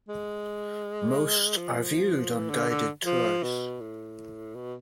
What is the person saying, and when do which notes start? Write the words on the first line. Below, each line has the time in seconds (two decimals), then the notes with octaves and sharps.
Most are viewed on guided tours.
0.09 G#3
1.57 F3
2.32 E3
2.50 D3
2.69 D3
3.06 F3
3.43 B2
3.81 A2
4.55 B2